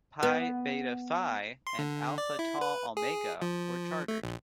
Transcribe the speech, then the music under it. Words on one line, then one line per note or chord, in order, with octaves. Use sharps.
Pi Beta Phi and Alpha Tau Omega were chartered.
B3
C6
D3
D5
E4
B4
G#4
F3
A3
A#1